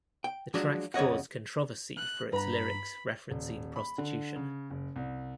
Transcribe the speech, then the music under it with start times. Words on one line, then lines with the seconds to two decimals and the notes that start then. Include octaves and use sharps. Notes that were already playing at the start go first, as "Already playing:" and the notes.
The track caused controversy for its lyrics referencing prostitution.
0.24 G5
0.54 F3 F#3 G#3 D4 F#4
0.94 F2 C#3 C#5 D#5 F#5
1.98 F#6
2.33 G2 B4 A#5 B5
3.30 D#1
3.76 B5
3.98 D3
4.36 C#3
4.70 F#1
4.96 C2